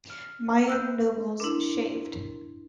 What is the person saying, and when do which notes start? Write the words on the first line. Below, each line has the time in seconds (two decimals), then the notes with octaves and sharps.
Mayan nobles shaved.
0.10 F6
0.68 A#3 B4 E6 F#6 G6 A#6
1.40 D4 E4 A#4 C6